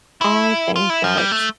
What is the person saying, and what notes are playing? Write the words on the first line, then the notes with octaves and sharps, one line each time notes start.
I think that
E4
F4
E4
F3
G3
A3